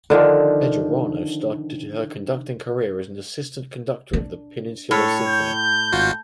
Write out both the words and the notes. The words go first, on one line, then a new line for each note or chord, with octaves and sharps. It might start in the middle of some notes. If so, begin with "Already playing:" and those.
Bejarano started her conducting career as an assistant conductor of the Peninsula Symphony.
D3 D#3 F3
D4
A2 A4 C#5
G6
G#1 F4 F#4